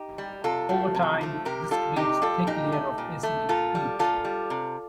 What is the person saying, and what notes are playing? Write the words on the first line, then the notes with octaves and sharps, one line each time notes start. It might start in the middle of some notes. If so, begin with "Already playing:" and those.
Over time, this creates a thick layer of acidic peat.
Already playing: D#4 G4
G3
C3 F4 A4
F3 A3
C3
F3 A3
C3 G4 A#4
G3 F4 A4
C3 D#4 G4
G3 F4 A4
A#2 D#4 G4
A3
A#2
A3
A#2 F4 A4
G3
A#2 F4 A4
G3
C3